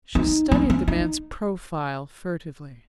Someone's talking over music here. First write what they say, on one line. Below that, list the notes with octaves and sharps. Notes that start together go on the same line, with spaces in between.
She studied the man's profile furtively.
D#4
C#4
C#4
D#4